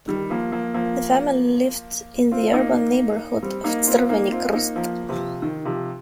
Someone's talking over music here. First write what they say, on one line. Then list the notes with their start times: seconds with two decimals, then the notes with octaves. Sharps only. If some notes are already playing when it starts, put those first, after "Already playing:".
The family lived in the urban neighbourhood of Crveni Krst.
0.08 D#3 G3
0.30 F3 A#3
0.52 F3 A#3
0.74 F3 A#3
2.31 C4 F4
2.53 A#3 D#4
3.42 G3 C4
3.64 A#3 D#4
3.87 C4 F4
4.09 A#3 D#4
4.32 C4 F4
4.53 A#3 D#4
4.76 F3 A#3
5.09 C3 F3
5.42 D#3
5.65 C3 F3